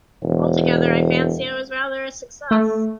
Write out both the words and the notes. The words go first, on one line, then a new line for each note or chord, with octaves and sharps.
Altogether I fancy I was rather a success.
E1
A3